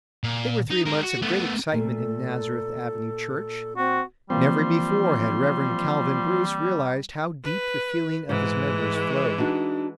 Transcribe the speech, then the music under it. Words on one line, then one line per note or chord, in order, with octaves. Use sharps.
They were three months of great excitement in Nazareth Avenue Church. Never before had Rev. Calvin Bruce realized how deep the feeling of his members flowed.
A#2
D#4
G#3 A#4
F#4
A3 B3
A#2 A3 A4
C4 F#4
E3 F3 G3 A#3 C4 C6
B4
G#2 E3 G#3
D4 D#4 F#4